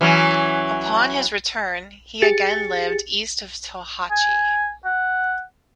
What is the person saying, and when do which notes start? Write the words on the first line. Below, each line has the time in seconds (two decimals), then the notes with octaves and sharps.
Upon his return, he again lived east of Tohatchi.
0.01 E3 F#3 C#4
2.22 G4 G#4 A6 C#7
4.11 G#5
4.85 F#5